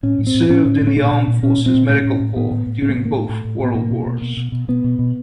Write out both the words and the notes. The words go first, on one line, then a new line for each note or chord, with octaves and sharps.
He served in the armed forces medical corps during both World Wars.
A2 C#4
A2
C4
A2
A2 C#4
A2
A2
C#4
A#2 D4
A#2
A#2
A#2 C#4
A#2
C4
A#2
A2 C#4
A2
A2
A2 B3
A2
A2
A2 C#4
A#3
B3
A2
A#3
A2 A3
A2
A2
A2 B3
B2 A#3
B2
B2
B2
B2
B2
B2 B3
B2
B2